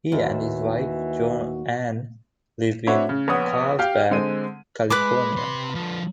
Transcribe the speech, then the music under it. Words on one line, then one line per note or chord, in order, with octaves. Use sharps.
He and his wife JoAnn live in Carlsbad, California.
D#2 E3 F#4
C4 D4 E4 F#4 C#5
C#3
A#1 B3 C#5 F#5 D#6
G4 F5 G5
D3 G#3 C4 D#7
G#3 B4 B5 D6
C3 C6
D3 F3